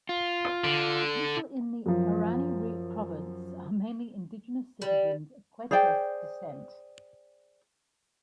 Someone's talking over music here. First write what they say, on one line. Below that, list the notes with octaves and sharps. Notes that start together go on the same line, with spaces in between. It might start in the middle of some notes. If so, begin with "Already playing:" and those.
The people in the Arani Province are mainly indigenous citizens of Quechua descent.
F4
D3
F#2 F3
G3
G#4 C5 D5 G5